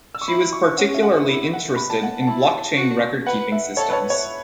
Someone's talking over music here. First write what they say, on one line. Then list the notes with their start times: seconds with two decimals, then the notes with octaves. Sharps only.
She was particularly interested in blockchain record keeping systems.
0.15 E6
0.21 C#6
0.28 E4 B5
0.53 C#6
0.78 C#4 F#5
0.94 E5
1.03 F#5
1.28 E4
1.53 F#5
1.76 B5
1.90 A5
2.03 F#5
2.22 F#5
2.27 E4 A5
2.77 F#4
3.26 B4 F#5
3.52 E5
3.77 A4 C#5
3.90 B4
3.93 C#5
4.10 C#5